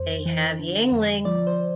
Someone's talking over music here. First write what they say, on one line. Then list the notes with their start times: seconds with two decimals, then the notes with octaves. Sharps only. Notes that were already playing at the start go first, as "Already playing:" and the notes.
They have Yuengling.
Already playing: F2 C5
0.26 E3
0.59 D3
0.92 F2
1.25 F3 D5
1.47 C5